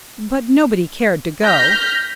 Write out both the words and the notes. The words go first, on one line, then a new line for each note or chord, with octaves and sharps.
But nobody cared to go.
F6 G6 A#6 B6